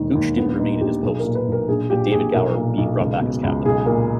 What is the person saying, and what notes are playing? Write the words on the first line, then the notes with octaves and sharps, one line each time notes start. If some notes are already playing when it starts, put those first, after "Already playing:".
Gooch didn't remain in his post, with David Gower being brought back as captain.
Already playing: E1 D#2 D#3
D#2
A#1 B3
A#2 D#4
A#1 G4
B1 G#4
A#2 A#4
B4
B1
A#4
A#1 G#4
A#2 G4
A#1 G#4
B1 A#4
A#2
B1
C#2
B2
C#2
B1 G#4
A#2 A#4